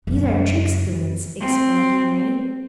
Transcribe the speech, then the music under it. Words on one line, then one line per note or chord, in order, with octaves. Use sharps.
"These are trick spoons," explained Henry.
F#2 C#3
C4